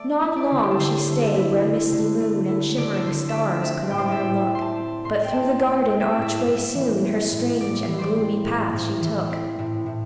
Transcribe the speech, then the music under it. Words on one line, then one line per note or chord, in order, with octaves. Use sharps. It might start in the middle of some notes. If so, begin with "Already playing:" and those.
Not long she stayed where misty moon And shimmering stars could on her look, But through the garden archway soon Her strange and gloomy path she took.
Already playing: A3 D5
E4
D5
D3
G4
A4
D3 C5
A3
A4
E4
D3
D3
A3
E4
D3 D5
A4
D3 C5
E5
A3 D5
C4 E5
A2 G5
C5
D5
E5
A2 G5
A3
C6
A5
C4
A2 C6
G5
A2 A5
A3 G5
C4 G5
E5
D5
A2 E5
A2
E3
C4
A2
A2 D5
E3
C5 D5
C4
A2
A2
E3
C4
A2
A2